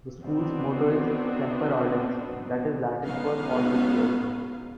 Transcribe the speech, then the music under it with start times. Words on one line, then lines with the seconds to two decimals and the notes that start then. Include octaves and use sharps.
The school's motto is "Semper Ardens", this is Latin for always burning.
0.21 B3 C4 D4 D#4 F#4 B4
3.05 F#3 G#3 B3 C#4 D#4 F5